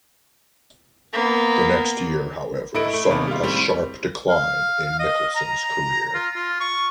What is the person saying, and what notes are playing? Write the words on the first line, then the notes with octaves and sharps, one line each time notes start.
The next year, however, saw a sharp decline in Nicholson's career.
A#3 B3
A2 E4 A4 B4 D#5 D7
A3
C3 D#3 A#3 B3 B4
G3 G#3 F4
A2 G3 C4
F5
D#5
A#5
F4
F4
C#6